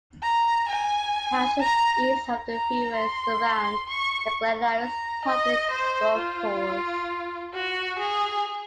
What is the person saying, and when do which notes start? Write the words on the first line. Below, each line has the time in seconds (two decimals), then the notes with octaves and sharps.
Houses east of the freeway surround the Glen Iris Public Golf Course.
0.22 A#5
0.68 G#5
1.60 A#5
2.51 A#5
2.96 C6
3.88 C#6
4.79 A#5
5.25 D#5
5.70 C5
6.16 F4
7.54 F#4
7.99 G#4